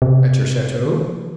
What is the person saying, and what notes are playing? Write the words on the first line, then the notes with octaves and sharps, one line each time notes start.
"At your chateau."
C3
D#3
F3